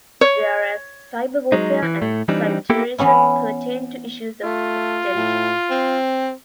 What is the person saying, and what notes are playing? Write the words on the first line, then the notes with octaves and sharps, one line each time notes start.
Whereas cyber-warfare and cyber-terrorism, pertain to issues of extelligence.
C#5
F#3 G#3 D#4
E3
A2 A3
E3 G3 C4 D4 D#4
A#3 B3 E4 G4 A4 A#4
E3 B3 C#4 E4
A3 F4
A2
C4